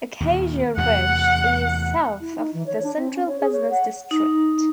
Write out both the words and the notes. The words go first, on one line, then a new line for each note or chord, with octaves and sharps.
Acacia Ridge is south of the central business district.
D#2 A#2
E2 C3 A3 F#5
E4
D#4
E3
C#5
D4
C4
C#4
C#5
G#4
C#5
F#5
D#4